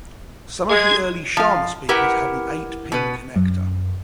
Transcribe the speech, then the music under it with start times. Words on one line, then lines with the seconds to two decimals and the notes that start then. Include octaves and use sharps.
Some of the early Sharma speakers had an eight pin connector.
0.69 G#3 G#6
1.37 F3 F5
1.89 E4 G4 A#4 B4 F#5
2.92 B2 B4
3.36 F#2